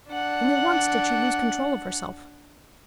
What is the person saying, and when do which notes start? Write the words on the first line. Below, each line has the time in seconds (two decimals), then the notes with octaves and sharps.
Only once did she lose control of herself.
0.11 D4 F#5